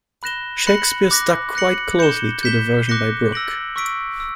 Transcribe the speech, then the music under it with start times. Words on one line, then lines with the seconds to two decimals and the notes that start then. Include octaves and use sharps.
Shakespeare stuck quite closely to the version by Brooke.
0.23 B5 F#6 A#6 E7 G7
0.67 B5 F#6 A#6 C#7 F#7
1.11 D6 F#6 A#6
1.55 F#6 A#6 C#7 F#7
1.99 G6 C#7 E7 G7
2.43 G6 B6 E7 G7
2.87 D6 F#6 A#6 C#7 G7
3.32 E6 A#6 D7 F#7
3.76 C#6 E6 B6 D7
4.20 E6